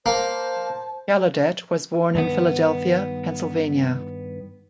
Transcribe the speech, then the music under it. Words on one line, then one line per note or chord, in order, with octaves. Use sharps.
Gallaudet was born in Philadelphia, Pennsylvania.
A#3 C5 A5
G2 D#3 B3